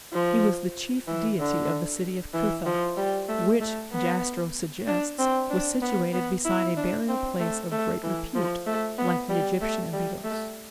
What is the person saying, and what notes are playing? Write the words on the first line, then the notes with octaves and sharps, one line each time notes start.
He was the chief deity of the city of Cuthah, which, Jastrow suggests, was situated beside a burial place of great repute, like the Egyptian Abydos.
F3
E3
D3
E3
F3
G3
A3
A3
B3
D4
C4
D4
B3
B3
E4
D4
C4
A3
A3
E3
F3
A3
B3
G3
A3
G3
A3